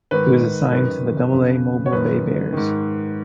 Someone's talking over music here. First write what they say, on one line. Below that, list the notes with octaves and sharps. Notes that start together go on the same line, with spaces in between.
He was assigned to the Double-A Mobile BayBears.
G#2 D#3 B4
F#2 D#3 B4
F2 C#3
C#5
F#2 D#3 B4
G#2 D#3